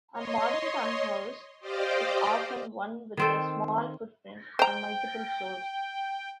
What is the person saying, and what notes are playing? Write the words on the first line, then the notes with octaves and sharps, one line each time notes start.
A modern town house is often one with a small footprint on multiple floors.
C#5 D#5 C6
G4 C5 D5 D#5 F5 G5
D#3 C4 A4
C5 G5 A#5